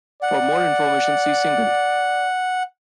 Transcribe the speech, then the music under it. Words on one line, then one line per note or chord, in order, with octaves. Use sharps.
For more information, see single.
D5 F#5